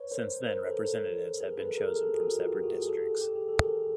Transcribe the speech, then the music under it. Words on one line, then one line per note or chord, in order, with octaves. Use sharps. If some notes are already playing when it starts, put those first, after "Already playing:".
Since then, Representatives have been chosen from separate districts.
Already playing: B4 C#5
A#4 C5
A#4 C5
A4 B4
G#4 A#4
A4 B4
G#4 A#4
A#4
G4 A4
F#4 G#4
F4 G4
F#4 G#4
G#4
G4 A4
G4
G#4
A4
G#4 A#4